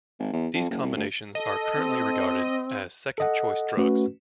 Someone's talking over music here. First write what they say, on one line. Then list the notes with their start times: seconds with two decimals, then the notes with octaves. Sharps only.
These combinations are currently regarded as second choice drugs.
0.19 G#1
0.33 E2
0.54 F2
0.70 F#1
0.83 C2
0.96 D2
1.35 A4 D#5
1.75 C4
3.18 A4 D#5 F#5
3.77 A3 C#4 F#4 B4